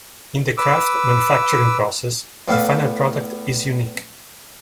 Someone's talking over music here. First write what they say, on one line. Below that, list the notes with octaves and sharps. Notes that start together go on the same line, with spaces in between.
In the craft manufacturing process, the final product is unique.
B4 D6 E6
E2 A2 B3 F5